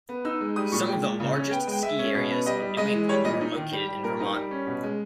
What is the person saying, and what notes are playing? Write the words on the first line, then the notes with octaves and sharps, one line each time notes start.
Some of the largest ski areas in New England are located in Vermont.
B3
D#4 E6
G#3
G3 D#6
A#2 C#6
G#3 G5
A#2
C#3
C#4
B3 G5
G#3 G5
G#3 E5
C#4
B2
B3
G3 D#5
G3
G#3 D#5
E3
G3 C#5
A#2 D#5
D#4
D#3
G3
G3
A#2 A#4
D#4
G3
C#4
B2
G#3